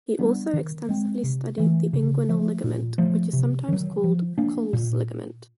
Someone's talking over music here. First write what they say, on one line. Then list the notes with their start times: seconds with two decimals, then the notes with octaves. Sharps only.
He also extensively studied the inguinal ligament, which is sometimes called Colles' ligament.
0.19 G3 B3 D4
0.53 D#3
0.89 G#3 C4
1.24 C3
1.58 E3 A3
1.93 C#3
2.29 F3 A3
2.64 A#2
2.98 F3 A3
3.33 C3
3.68 D#3 F#3
4.04 F3
4.38 A#3 D4
4.73 A#2